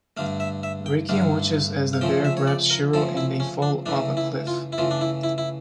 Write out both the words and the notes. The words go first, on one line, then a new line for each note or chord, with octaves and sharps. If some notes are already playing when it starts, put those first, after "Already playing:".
Riki watches as the bear grabs Shiro and they fall off a cliff.
G2 D3 A3 F5
E5
E5
G5
G2 D3 A3 F5
F5
C#3 F3 A3 G5
E5
C#5
D5
A#4
C#3 F3 A3 A4
E4
C#4
D4
C#3 E3 A3 D4
E4
F4
E4
C#3 E3 A3 F4
D4
E4
E4
E4